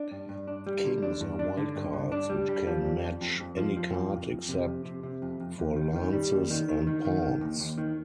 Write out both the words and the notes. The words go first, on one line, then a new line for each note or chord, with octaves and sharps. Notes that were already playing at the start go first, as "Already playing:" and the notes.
Kings are wild cards which can match any card except for lances and pawns.
Already playing: D4
G2
G2
D4
G3
D3
D4
G2
D4
D3
G2
G2
D4
G3
G3
F3
F2
F2
F2
F2
F3
F3
F2
F2
F2
C3
F2
C3
C3
F2
F2
D#2
D#3
D#3
G3
D#2
D#3
D#3
D#3
D#3
D#3
D#2
D#2
D#3